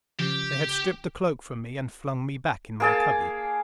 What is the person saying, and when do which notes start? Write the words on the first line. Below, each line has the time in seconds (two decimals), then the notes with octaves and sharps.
They had stripped the cloak from me, and flung me back in my cubby.
0.19 C#3 F3 G4
2.80 A#3 G#4 A5